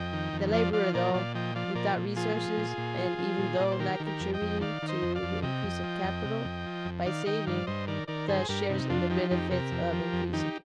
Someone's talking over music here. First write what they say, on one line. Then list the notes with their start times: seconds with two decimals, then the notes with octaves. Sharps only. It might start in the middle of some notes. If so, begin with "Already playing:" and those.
The laborer, though without resources and even though not contributing to the increase of capital by saving, thus shares in the benefit of increasing capital.
Already playing: F2 D#5 G5
0.13 D#3
0.33 F2
0.53 F3 D5 F5
0.73 F3 D5 F5
0.94 A#2 A#4 D5
1.14 A#2 D5 F5
1.35 F3 D#5 G5
1.55 F3 D5 F5
1.75 A#2 A#4 D5
1.96 A#2
2.16 F3 F4 G#4
2.37 F3
2.57 A#2
2.78 A#2
2.98 F3
3.18 F3
3.38 A#2
3.57 D#5
3.60 A#2 D5
3.72 C5
3.79 D#3 G4 A#4
4.00 D#3
4.06 G4 A#4
4.20 F2
4.34 D#5 G5
4.41 F2
4.61 D#3 D5 F5
4.82 D#3
4.88 C5 D#5
5.02 F2
5.15 D5 F5
5.23 F2
5.43 C3 D#5 G5
5.63 F2
5.84 F3
6.04 F2
6.25 C3
6.44 F2
6.66 F3
6.85 F2
7.06 D#3 D5 F5
7.26 D#3 D#5 G5
7.47 G2 D5 F5
7.67 G2 C5 D#5
7.88 D#3 A#4 D5
8.08 D#3 A#4 D5
8.28 G2 G#4 C5
8.49 G2 G4 A#4
8.69 C3 D#4
8.90 F2 D4 F4
9.10 F3 D#4 G4
9.31 F2 D#4 G4
9.51 C3 G4 A#4
9.71 F2
9.92 F3
10.13 F2
10.33 D#3 D#4 G4